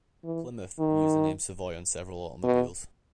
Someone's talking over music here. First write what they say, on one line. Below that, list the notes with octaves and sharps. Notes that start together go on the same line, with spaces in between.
Plymouth used the name Savoy on several automobiles.
E3
D#3
B2